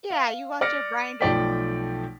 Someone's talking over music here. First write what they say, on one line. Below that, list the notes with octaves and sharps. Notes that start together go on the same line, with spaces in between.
Yeah, you want your brain to
F5
D5 F6 A6 A#6 C#7
B1 F3 A3 D5 G5 B6